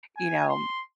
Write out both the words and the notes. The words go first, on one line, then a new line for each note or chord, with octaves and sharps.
you know,
G#5
C6